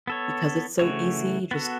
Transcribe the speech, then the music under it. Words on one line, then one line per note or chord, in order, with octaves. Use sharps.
because it's so easy; you just
B3 A4 C#5
C#3 E3 A3 F#4 C#5
B3 F#4 A4